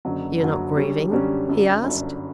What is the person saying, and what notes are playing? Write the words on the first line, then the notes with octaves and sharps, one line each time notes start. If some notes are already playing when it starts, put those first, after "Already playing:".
"You're not grieving?" he asked.
F#1 F#2 D3 F#3
F#1 F#2 D3 F#3
F#2 D3 G3 C#4
F#2 D3 G3 C#4
G1 F#2 D3
G1 F#2 D3